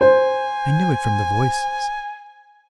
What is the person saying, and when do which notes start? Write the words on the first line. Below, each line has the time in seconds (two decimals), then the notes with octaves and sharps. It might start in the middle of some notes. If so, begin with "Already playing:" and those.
I knew it from the voices.
0.01 C5 G#5